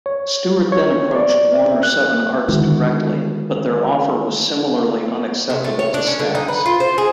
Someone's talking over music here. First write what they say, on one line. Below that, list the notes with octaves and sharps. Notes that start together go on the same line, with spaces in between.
Stewart then approached Warner-Seven Arts directly, but their offer was similarly unacceptable to Stax.
C#5
C#5
D5
F#6
D3 D#3 G#3 E4 F#4
C3
A3
C#5
D4
C#4
D3
D#4
B4
F4
C5
G#4